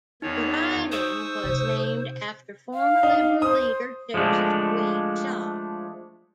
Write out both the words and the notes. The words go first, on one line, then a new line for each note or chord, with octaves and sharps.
The riding was named after former Liberal leader Joseph Tweed Shaw.
E2 D#3 D#4 C#5
C5 C#6 D#6 E6
C3
F5
D#4
C5 D#6
F3 G#3 A3 D4